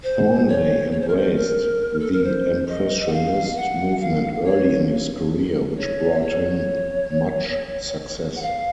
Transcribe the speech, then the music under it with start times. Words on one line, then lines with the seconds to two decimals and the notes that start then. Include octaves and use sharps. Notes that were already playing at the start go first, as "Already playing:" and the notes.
Thornley embraced the Impressionist movement early in his career, which brought him much success.
0.03 C5
0.48 C#5
0.92 C#5
1.01 C5
1.08 A#4
1.17 C5
1.36 A#4
2.00 A4
2.12 A#4
2.24 C5
2.68 D#5
3.07 F#5
3.13 F5
3.56 F#5
4.00 F5
4.44 C#5
5.77 C#5
6.21 C#5
8.36 F#5
8.42 F5